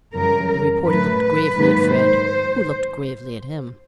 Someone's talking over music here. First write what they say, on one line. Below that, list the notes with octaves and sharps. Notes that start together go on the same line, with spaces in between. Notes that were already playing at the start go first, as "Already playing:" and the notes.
The reporter looked gravely at Fred, who looked gravely at him.
F#2 C#3 E3 G3 A#4
A2 F#3 A3 B4
B4
G#2 D#3 F#3 A#3
C5